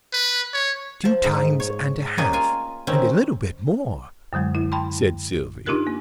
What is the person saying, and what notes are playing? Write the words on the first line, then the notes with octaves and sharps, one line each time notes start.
"Two times and a half, and a little bit more," said Sylvie.
B4
C#5
F3 A5
G#2
C#5
G3 A#3 C#4 D#5
F4 A#4 G#5
D#3 C4 C#4
F#2 D3 F#3 G#3
E4
G5 A5 B5 C6
D4 D#4 F4 G4 A#4 F#6
A#3